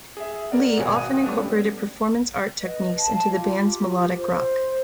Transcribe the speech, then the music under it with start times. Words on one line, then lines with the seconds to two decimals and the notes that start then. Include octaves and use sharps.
Lee often incorporated performance art techniques into the band's melodic rock.
0.17 G#4 E5
0.51 A#4 D5 F#5
0.77 G#1 B2 F5 G5 G#5 F#6
0.95 F#5 D#6 F#6 D#7
1.22 G3 A3 B3 C#4 D4
2.58 B4 D#5
2.97 F5 A5
3.29 F4 G4
4.11 C5